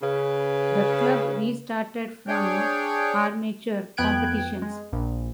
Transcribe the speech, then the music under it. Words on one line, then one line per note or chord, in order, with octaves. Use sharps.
The club restarted from amateur competitions.
C#3 B4
D4 G#4 C#5 G5
F2 B3 G5 F#6 G#6 D7
G#3
A#1